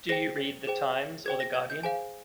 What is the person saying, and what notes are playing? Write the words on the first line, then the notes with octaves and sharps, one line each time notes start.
Do you read The Times or The Guardian?
G#4 C5 G5 A#6
G#4 C5 G5
G#4 C5 G5 G#6
A#6
G#6
G6
G#4 C5 F5 G#5